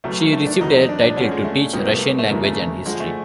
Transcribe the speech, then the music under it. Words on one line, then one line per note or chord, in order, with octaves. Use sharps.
She received a title to teach Russian language and history.
B1 B2 F#3 A3
A#3
A3
D4
E2 B2 F#3 D#4
D4
D4
F2 D3 F3 C#4
G#3
A3
C2 C3 F3 B3
A#3
A3
A#3
A3
D#2 C#3 F3 A#3
A3
F2 D3 F3 G#3
A3